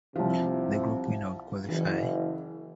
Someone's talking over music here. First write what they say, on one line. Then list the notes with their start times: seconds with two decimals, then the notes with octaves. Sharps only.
The group winner would qualify.
0.16 C2 C3 F3
1.69 F#1 E3